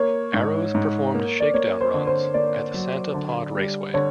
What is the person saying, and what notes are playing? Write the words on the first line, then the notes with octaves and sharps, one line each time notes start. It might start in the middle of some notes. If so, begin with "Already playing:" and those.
Arrows performed shakedown runs at the Santa Pod Raceway.
Already playing: A#3 C#5
G#2
G#2
A#3
D5
A#3 C#5
C5
D3
C5
A#3 D5
F#3
D3
G3
D3 C#5